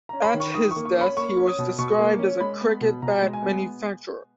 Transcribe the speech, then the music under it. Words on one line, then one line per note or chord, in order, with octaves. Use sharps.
At his death he was described as a "cricket bat manufacturer".
C#4 A#5
B5
D#3
C#6
D#3 D#6
C#6
A#3
C#6
C#4 B5
A#3 C#6
C#4
D#6
B2
B2 C#6
A#3
C#4
G#3 B5
B3
B2
B2 A#5
G#3
G#5
B3